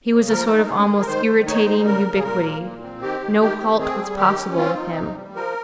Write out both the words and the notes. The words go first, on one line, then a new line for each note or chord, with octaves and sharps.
He was a sort of almost irritating ubiquity; no halt was possible with him.
C#3
F3 A#4
D#4
A#4
C#4 G#4
D#3
A#4
D#3 C5
D#3
D#4 C#5
G3 C5
C#3 A#4
C#3
G#4
A#2 A#4
A#3
A#2
C4
D#3 G4
D#3
D#3 G4
C4
C4 G#4
G3
D#3 G4
C#4
C4 F4
D#4
C3
G3
F3 A#4